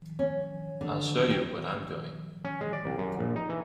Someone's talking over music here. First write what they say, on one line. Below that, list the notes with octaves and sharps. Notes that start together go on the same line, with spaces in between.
I'll show you what I'm doing.
C#4
D3
G5
C#4
G#3
D5
C2
F#2
A#1
D#4
E3